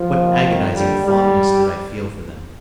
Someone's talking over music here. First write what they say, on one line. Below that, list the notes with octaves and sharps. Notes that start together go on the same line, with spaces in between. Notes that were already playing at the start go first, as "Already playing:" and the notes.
What agonizing fondness did I feel for them!
Already playing: F3
D#2 D#3
F2 D#3
D#2 D3 G3
D#2 G3